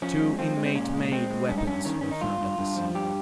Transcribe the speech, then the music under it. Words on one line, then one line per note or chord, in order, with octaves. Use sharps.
Two inmate-made weapons were found at the scene.
F3 C#4
G#3
F3 C4
G#3
C4
A#2 C#4
G#3
G#3 C4
G#3
G2 C#4
D#4
G2 C#4
D#3 C#4
D#3 C#4
D#4
G2 F4
G2
G2
F3
G2 G4